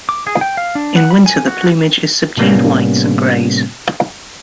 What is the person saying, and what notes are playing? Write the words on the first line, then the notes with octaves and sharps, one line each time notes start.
In winter, the plumage is subdued whites and greys.
D6
G#4
G5
F5
D4
F#5
B5
G#5
F#4
A2 C3 G3 A#3 B3 C#4